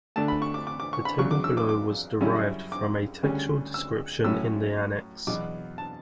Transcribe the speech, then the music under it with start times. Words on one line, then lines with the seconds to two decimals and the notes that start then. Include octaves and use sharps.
The table below was derived from a textual description in the annex.
0.16 D2 D3 A3 D4 A5
0.28 B5
0.42 C#6
0.54 D6
0.67 D6
0.80 D6
0.93 C#6
1.05 B5
1.18 E2 C#3 F#3 C#6
1.31 D6
1.44 E6
1.57 D6
1.69 D6
2.21 F#2 C#3 G3 C#4 E4
2.72 D6
3.23 D2 C#3 G3 C#4
3.74 E6
4.24 A2 F#3 C#4 E4 E6
5.27 E2 B2 F#3 D6
5.78 A5